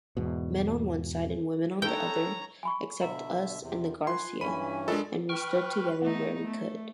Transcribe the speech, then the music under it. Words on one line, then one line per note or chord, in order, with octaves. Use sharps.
Men on one side and women on the other, except us and the Garcia, and we stood together where we could.
E2 G#2 B2
D#4 A4 B4 C#5 G5 A#5
G#5 B5 C#6
B2 D3 E5 A#5
E2 C3
F4 G#5 C6 F#6
G2 E3 C#4 B5 D#7
G#3 D4 F4 A4 A#4 D#5
B4 G5 C#6 F6
A3 B3 D#4
A3